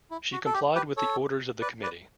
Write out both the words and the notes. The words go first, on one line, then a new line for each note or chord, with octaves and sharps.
She complied with the orders of the committee.
E4
F#4
A4
G4
G4 B4
A4 C#5
B4 D5
B4 D5